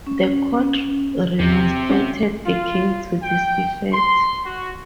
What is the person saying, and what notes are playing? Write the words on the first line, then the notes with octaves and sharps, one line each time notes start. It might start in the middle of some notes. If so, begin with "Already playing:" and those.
The court remonstrated the King to this effect.
C#4
E2 C3
C#4 F#4
F4
G5
C6
F#4